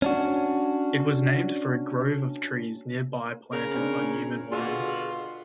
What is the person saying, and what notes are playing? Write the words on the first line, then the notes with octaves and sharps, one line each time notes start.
It was named for a grove of trees nearby planted by Newman Warren.
C#4 D4 F#4
C#3 A#4
C4 D4 G#4
B2 D3 F4 F#4 G#4